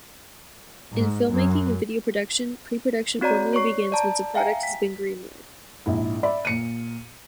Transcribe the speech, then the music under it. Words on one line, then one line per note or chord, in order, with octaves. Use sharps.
In filmmaking and video production, pre-production formally begins once a project has been greenlit.
G#2
F#2
C4 F#4 C#5 D5 A#5
C#5 D5 C#6 C7
D5 A5 A#5
E5 F5 G5 G#5 A#5
B6
A#1 G#2 E4
D5 E5 B5
A#2 C#7 D#7